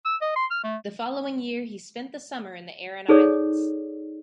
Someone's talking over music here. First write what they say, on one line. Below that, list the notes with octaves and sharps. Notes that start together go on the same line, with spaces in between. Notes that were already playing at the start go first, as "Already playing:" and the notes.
The following year he spent the summer in the Aran Islands.
E6
D#5
C6
F6
A3
D#4 G#4 A4 C#5 D5